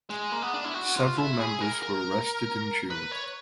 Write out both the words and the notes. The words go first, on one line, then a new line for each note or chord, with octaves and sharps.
Several members were arrested in June.
G#3
A#3
B3
D4
E4
F#4
F4
E4
G#4
A#4
A#4
B4
C#5